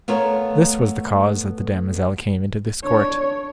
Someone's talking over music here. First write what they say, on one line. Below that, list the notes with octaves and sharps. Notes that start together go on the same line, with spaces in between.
This was the cause that the damosel came into this court.
A3 B3 F4 A#4 C#5
D4 C#5